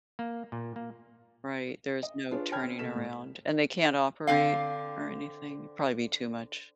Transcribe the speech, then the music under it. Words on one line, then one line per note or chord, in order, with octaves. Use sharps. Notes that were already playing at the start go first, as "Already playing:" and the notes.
Right, there's no turning around, and they can't operate, or anything? It'd probably be too much.
A#3
A#2
A#3
D#5
D4 F4 G#4 B4 C#5
C#5 G5 A5 B5 F6 G#6
C4
C3 A#3 A4 B6 E7
A2
D3 C4 F5